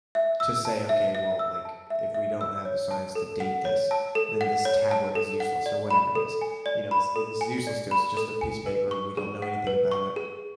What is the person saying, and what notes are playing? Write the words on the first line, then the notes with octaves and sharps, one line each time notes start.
to say, "Okay, well, like, if we don't have the science to date this, then this tablet is useless," or whatever it is. You know, it's, i this is useless to us, just a piece of paper, we don't know anything about it.
E5
E6
A5
E5
E5
E6
A5
E5
E5
E6
C#5
A5
A4
F#5
C#5
A5
A4
F#5
C#5
A5
A4
F#5
D5
B5
A4
G#5
D5
B5
A4
G#5
D5
B5
A4
G#5
B4
C#6
G#4
F#5
B4
C#6
G#4